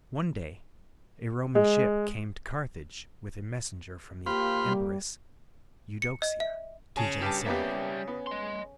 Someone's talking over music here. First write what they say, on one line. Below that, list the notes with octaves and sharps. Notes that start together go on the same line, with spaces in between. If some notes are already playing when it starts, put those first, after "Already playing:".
One day a Roman ship came to Carthage with a messenger from the Empress Eudoxia to Genseric.
G#3
A#3 F4 G4 C5 B5
G3
C#7
D#5
E5
C#3 G#5 A5
G2 G4 A5
G3 A#3 B3 G4 E5
B3
D#5 C6